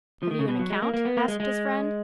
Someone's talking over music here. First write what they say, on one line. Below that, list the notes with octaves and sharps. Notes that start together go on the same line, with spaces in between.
"Have you an account?" asked his friend.
F3
D#3
C#3
B2
F#3
G#3
A#3
A#3
B3
A#3
G#3
G#3